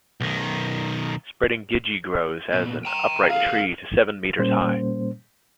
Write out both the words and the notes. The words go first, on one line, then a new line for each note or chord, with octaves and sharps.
Spreading gidgee grows as an upright tree to seven metres high.
B1 D#3
A#2 B3
G5 A#5
G#4 A4 F5
A#2 G3 A#3 C#4 C5